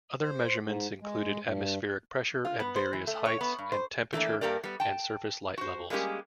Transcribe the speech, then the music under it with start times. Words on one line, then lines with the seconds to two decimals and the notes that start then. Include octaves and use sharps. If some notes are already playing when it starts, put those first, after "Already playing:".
Other measurements included atmospheric pressure at various heights, and temperature, and surface light levels.
0.22 C5
0.63 G#2
1.02 G#3
1.44 G2
2.45 F4
2.60 B3
2.76 C5
2.93 E3
3.07 A3
3.25 C#5
3.41 B3
3.59 G2
3.72 C5
4.13 E3 A3 A#3 D4
4.41 G2 A#3 G4 A#4 D5
4.64 G3 B3
4.80 G5 A5
5.58 F#4 C5
5.90 G3 G#3 A#3 C#4 G4 G#4